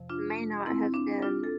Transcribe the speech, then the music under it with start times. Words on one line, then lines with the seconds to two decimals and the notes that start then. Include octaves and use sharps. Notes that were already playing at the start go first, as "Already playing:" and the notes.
may not have been
Already playing: F2 C3 F3
0.09 D4 F4
0.66 C4 E4
0.94 D4
1.22 D4 F4
1.44 A4